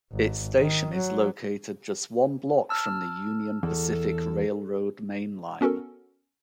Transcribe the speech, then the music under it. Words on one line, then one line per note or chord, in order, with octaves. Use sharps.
Its station is located just one block from the Union Pacific Railroad mainline.
G#1
D#3
F#3
A5 E6 F6
E2 A4
B3 C#4 F#4 A4 A#4